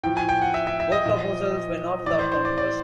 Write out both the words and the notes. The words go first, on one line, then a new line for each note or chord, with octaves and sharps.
Both proposals were not without controversy.
A2 F3 G5
G#5
G5
F#5
E5
E5
E5
D#5
A#2 F3
A2 E3 D5
C5
C5
D5
D5